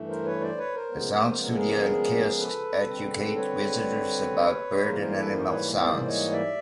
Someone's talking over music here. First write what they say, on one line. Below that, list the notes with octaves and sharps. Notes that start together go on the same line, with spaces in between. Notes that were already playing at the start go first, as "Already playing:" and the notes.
A sound studio and kiosks educate visitors about bird and animal sounds.
Already playing: G2 E3 A3
A#4 C5
B4 C#5
C5 D5
B4 C#5
A#4 C5
C#3 F3 G#3 B3
A#4
A4
G#4 A#4
A4 B4
D3 G3 C4
B4 C#5
G#2 E3 G3 A#3 A#4 C5
A#4 C5
A4 B4
A#4 C5
B4 C#5
C5 D5
C#5 D#5
D5 E5